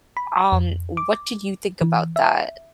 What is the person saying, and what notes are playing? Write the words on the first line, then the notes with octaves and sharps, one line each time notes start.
um, what did you think about that?
B5
F2
D6
E3
E5